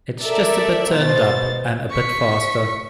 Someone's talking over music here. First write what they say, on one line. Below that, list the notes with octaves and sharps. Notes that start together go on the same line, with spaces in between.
It's just a bit turned up and a bit faster.
A4 A#4 D5 E5
B2 C5 A6
C#6 B6